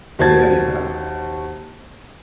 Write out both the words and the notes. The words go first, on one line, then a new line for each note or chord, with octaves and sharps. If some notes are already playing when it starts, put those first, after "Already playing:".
Yeah, yeah.
D#2 F#4 C5 A5 G#6 A6